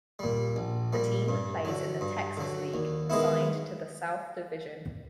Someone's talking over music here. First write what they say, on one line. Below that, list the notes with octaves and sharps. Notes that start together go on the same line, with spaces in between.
The team plays in the Texas League, assigned to the South Division.
A#2 G3
A#1
A#2 G3
G2
D3 F#3
G2
D3 F#3
D#2
D#3 G#3 B3 E4